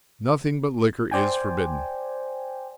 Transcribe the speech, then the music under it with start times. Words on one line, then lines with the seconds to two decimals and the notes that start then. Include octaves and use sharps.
Nothing but liquor is forbidden.
1.11 C5 D5 G5 G#5